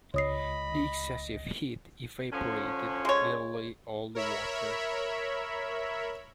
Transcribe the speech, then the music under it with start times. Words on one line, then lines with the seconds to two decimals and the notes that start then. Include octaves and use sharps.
The excessive heat evaporated nearly all the water.
0.14 C#2 C#5 D#5 B5 D#6 C7
2.33 D3 F3 C#4
3.05 G#3 C#5
4.15 A#4 C#5 E5 B5